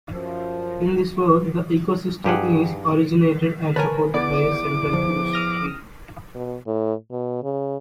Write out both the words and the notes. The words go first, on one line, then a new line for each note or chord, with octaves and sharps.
In this world, the ecosystem is originated and supported by a central huge tree.
F#2 F3
G2 G4 G#4 F#5
A#4 B4 C#5 G#5 A5
E2 B3 D5 D6
F3
D#6 F6 A#6
B2
A2
B2
C#3